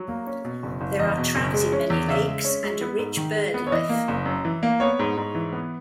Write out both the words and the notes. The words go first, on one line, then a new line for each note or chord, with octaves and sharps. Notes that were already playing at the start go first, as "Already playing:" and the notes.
There are trout in many lakes, and a rich bird life.
Already playing: F#3
A#3
C#4
B2
F#1
F#1
E2 D#5
B2
F#1
G#3
C#4
E2
C#3 E5
G#3
C#4
G#3
B3
G#2
D#3
G#3
B3
C#5
E3 D#5
A#3
F#1
F#2
E3
A#3
B3 C#5
G#2
G#2
E3
B3